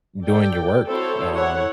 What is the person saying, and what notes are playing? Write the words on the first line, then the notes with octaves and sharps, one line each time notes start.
doing your work, um,
A4 D5 G5
C4 E4 F#4 A4 C5 C#5
E4 C#5 F#5